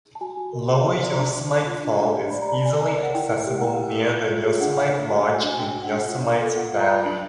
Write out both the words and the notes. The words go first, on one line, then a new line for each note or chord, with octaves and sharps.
Lower Yosemite Fall is easily accessible near the Yosemite Lodge in Yosemite Valley.
A5
F#4 G#5
F#4
A#4
F#4
F#4
D5
A#5
D4 A5
D4
D4
F4
D4
D4
G4
D5 B5
A#5
D5 A5
D5 G#5
D5
A#4
F#5
E4 G5
E4
G4
F#5
E4 G5
E4
E4
F4
F4
G#4
D4 F#5
D4 E5
D4
F#4 F#5
F#4
G#5
D4
G#5
D4 G5
F#4
F#5
D4
F4
D5
A4
F4 F#5
F4
A#5
D5
D4